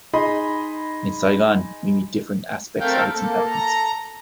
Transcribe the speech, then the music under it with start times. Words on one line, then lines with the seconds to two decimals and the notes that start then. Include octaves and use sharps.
In Saigon, we meet different aspects of its inhabitants.
0.13 D#4 G#4 D#5 B5 C6
2.81 A3 C4 A4 A#4 F5 G5
3.14 A#3 A4
3.47 A#5